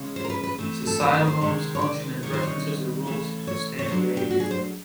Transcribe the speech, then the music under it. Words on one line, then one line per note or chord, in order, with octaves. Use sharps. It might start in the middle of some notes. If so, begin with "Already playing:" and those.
Societal norms function as references or rules for standard behavior.
Already playing: C#3 E3 G#3 C#4
C5
A#4
B4
B4
E3 A3 C4
A4
A#4
B4
C5
C3 D#3 G#3 C4 C#5
C#5
D5
D#3 G3 C4 D#4 C#5
C5
C#5
C#3 E3 A3
C#5
C#5
F#3 A3 D4 C5
G4
F#4
G#4
C5